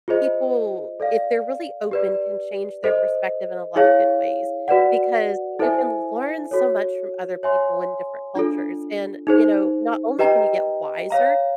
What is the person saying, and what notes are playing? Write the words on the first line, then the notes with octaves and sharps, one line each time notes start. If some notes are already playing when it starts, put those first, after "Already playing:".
people, if they're really open, can change their perspective in a lotta good ways, because you can learn so much from other people in different cultures, and, you know, not only can you get wiser,
F4 G#4 C5 D#5
A4 D5 F5
G4 B4 D5
A4 C5 D#5
E4 G#4 C#5 F5
F#4 B4 D5 F#5
E4 A4 C5 E5 G#5
F#4 A4 C#5
C#5 E5 G#5 C6
D4 F4 A4
D#4 G#4 C5
G4 B4 D#5 G5 A#5
C#5 F5 A#5